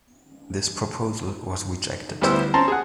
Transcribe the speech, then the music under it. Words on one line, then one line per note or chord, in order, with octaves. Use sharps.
This proposal was rejected.
D2 G3 B3 E4 C5 E6
C4 C#4 A5 A#5 C6
G#4 F#5